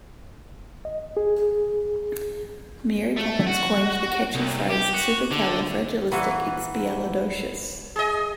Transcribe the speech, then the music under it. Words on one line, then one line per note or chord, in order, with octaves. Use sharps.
Mary Poppins coined the catchy phrase Supercalifragilisticexpialidocious.
D#5
G#4
A3
F#4
C2
G4
F#4
D3
A#2 E3 F#4
G#4 D#5